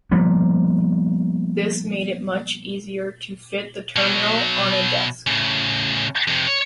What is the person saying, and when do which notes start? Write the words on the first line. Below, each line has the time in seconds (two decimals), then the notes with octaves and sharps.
This made it much easier to fit the terminal on a desk.
0.11 F3 G3 A#3 B3
3.96 B2 F#3
5.27 A2 C#3
6.28 F2 C3
6.47 C#5